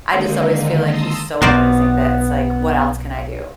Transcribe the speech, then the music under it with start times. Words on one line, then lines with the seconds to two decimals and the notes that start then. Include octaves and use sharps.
I just always feel like he's so amazing that it's, like, what else can I do?
0.10 D3 D#3 G#3 A#3 C4 D#4
0.84 A5 A#5 C6 D#6 E6
1.42 B1 B2 B3 A#4 C5 D5